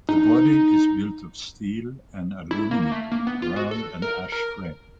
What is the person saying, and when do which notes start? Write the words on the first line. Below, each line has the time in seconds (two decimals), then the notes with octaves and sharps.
The body is built of steel and aluminum around an ash frame.
0.09 D#4
2.51 E4
2.71 A#3
2.82 A#3
2.92 A3
3.12 A#3
3.27 B3
3.42 F4
3.56 F#4
3.71 A4
4.02 A#4
4.32 A#4